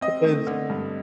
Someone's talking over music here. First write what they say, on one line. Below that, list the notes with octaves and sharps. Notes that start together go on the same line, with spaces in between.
and s
C4 D#5
A3
D3
G2